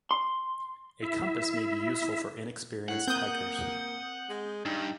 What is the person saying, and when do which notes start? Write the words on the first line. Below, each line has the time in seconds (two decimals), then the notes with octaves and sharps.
A compass may be useful for inexperienced hikers.
0.11 C6
1.02 E4 E5
2.89 A2 F#5
3.08 A#3 C4 D#6 G6
4.30 G#3
4.65 G2 D#4